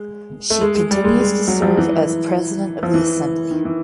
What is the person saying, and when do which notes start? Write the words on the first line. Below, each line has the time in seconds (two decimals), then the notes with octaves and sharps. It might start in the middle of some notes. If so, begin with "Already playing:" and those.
She continues to serve as president of the assembly.
Already playing: G#3
0.50 A3
0.61 G#3
0.75 G#3
0.91 G3
1.04 G#3
1.20 G#3
1.48 F#3
1.62 F3
1.77 E3
2.83 F3
2.94 E3
3.51 D#3
3.65 E3